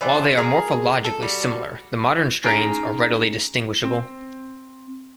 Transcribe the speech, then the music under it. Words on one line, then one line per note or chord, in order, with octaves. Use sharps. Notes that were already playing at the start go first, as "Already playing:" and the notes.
While they are morphologically similar, the modern strains are readily distinguishable.
E3 C4 D4 F4
G#4 A#4
A4
G3 F#4
C#4 D#4 G#4 G5 A#5
C4